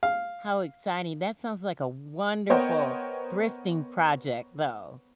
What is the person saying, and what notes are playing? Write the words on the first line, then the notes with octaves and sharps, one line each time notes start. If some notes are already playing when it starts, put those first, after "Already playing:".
how exciting. That sounds like a wonderful thrifting project though,
F5
B3 A#4 C5 C#5 D#5 G5